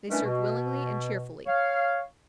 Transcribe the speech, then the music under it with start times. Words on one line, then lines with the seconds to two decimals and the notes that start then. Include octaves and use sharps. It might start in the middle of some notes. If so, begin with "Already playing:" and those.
They served willingly and cheerfully.
0.09 D#3 E3 G3 A3 C#4 D4
0.25 B2
1.46 C#5 F5